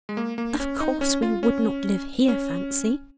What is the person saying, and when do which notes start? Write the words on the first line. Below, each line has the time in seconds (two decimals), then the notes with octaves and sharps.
Of course we would not live here, Fancy.
0.09 G#3
0.17 A#3
0.38 A#3
0.60 C#4
0.80 D#4
1.01 C#4
1.22 F4
1.43 C#4
2.28 C#4